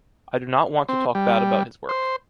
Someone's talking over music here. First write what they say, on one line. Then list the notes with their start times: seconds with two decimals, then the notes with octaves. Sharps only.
I do not want to talk bad about his work.
0.89 C4
1.15 G3
1.89 C5